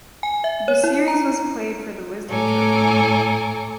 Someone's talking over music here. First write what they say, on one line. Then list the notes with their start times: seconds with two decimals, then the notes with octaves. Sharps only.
The series was played for the Wisden Trophy.
0.23 G#5
0.44 E5
0.68 C#5
0.84 E4
1.08 A#5
2.29 A2 A4 C#5 G#5 A#5 D6